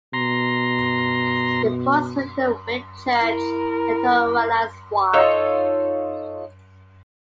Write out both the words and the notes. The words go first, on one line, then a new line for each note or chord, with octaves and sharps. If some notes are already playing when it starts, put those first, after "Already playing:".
It falls within the Whitchurch and Tongwynlais ward.
B2 A#5 C6
E4 A#4
D#4 F4 A4 C#5